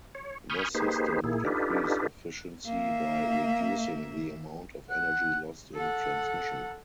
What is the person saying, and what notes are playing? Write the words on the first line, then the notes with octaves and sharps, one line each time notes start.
This system would increase efficiency by reducing the amount of energy lost in transmission.
C#5
G#5 B5 C#6 D#6 F6 G6
A#3 D#4 G4 G#4 B4 C5
A#2 A#3 E4 G#4
D4 D#4 F4 G4 A4 B4
A#3 E5 F5
F#5
A4 F#5